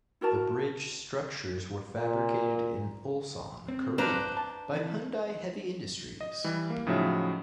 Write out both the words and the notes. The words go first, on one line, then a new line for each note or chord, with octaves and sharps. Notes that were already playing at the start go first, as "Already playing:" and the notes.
The bridge structures were fabricated in Ulsan, Korea by Hyundai Heavy Industries.
E4 F#4 A#4 A5
A#2
C4
D4 B4 C5 D5 F5 A#5
A5
C3 E3 E4
D#5
E3 G3
A#3
A2 C#3 F3 F#3 D#4 E5